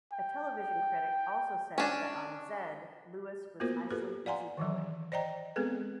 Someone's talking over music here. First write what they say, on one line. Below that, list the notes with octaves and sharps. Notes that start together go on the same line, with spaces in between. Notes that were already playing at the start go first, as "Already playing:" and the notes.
A television critic also said that on "ZeD" Lewis was nicely easygoing.
G5
C#4 D4
A#3 B3 F4 F#4 A#4 C5
F4 G4 A4 B4
D5 F5 F#5 G#5 A#5 C6
D#3 E3 F#3
C5 D5 D#5 G5 A#5
G#3 B3 C4 G#4 A4 B4